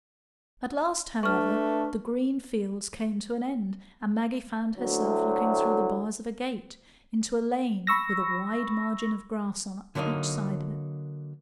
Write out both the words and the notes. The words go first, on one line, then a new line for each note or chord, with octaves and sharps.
At last, however, the green fields came to an end, and Maggie found herself looking through the bars of a gate into a lane with a wide margin of grass on each side of it.
A3 D4 B4 C#6 F6
D2 A2 F#3
B5 C#6 E6 A#6
D3 F#3 A#3 C4 D#4